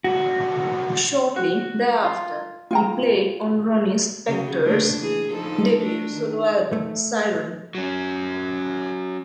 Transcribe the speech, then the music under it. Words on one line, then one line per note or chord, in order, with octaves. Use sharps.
Shortly thereafter, he played on Ronnie Spector's debut solo album "Siren".
F#4
F#4
F4
F4 G5 A#5
C#3 F#3
A3 A#3 D4
E3 G#4
F3 D#4 A4
A3 D4
D#3
A3
F#3 C#4